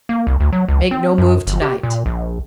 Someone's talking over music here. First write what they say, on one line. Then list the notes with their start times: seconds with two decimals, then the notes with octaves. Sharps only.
Make no move to-night.
0.09 A#3
0.27 C2
0.40 D2
0.52 F#3
0.68 C#2
0.91 C4
1.18 F#2
1.47 G1
1.61 G4
1.83 A#2
2.06 A#1